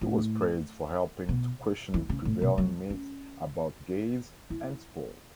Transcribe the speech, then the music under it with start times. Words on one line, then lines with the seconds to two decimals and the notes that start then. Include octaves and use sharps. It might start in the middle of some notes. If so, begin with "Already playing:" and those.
He was praised for helping to question prevailing myths about gays and sport.
0.01 A2
1.29 B2
1.94 E3
2.09 C#3
2.25 A2
2.42 B2
2.58 F#3
2.90 C#4
4.50 E4